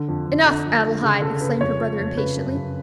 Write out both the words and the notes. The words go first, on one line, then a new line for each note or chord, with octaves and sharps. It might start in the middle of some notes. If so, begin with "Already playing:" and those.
"Enough, Adelaide!" exclaimed her brother, impatiently.
Already playing: D3
F2
F2
D3
F2
D3
C#3 G#4
C#3 A4
C#3 B4
F2 C#5
F2
F2
C#3 B4
F#2
C#3